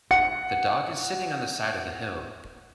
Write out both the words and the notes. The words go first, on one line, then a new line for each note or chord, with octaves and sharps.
The dog is sitting on the side of the hill.
F#5 C#7